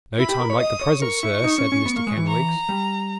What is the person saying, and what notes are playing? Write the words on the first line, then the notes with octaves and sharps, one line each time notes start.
'No time like the present, sir,' said Mr Kenwigs.
E4 B5
G4
A#4
C#5
D#5 D#6
C#5
A#4 C#6
E4
D#4
C#4
C#4
B3
A#3
G#3
E3
A#5
G3